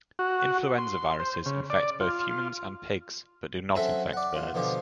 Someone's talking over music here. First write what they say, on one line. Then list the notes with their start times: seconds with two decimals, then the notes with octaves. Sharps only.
Influenza viruses infect both humans and pigs, but do not infect birds.
0.19 F#4
0.78 C6
1.20 C5
1.46 C#3
1.70 D5
2.00 F4
3.75 F#3 C4 C#4 F#4 A4 E5
4.13 D5 F#5
4.35 F4
4.54 B2 D3 F3 F4 G4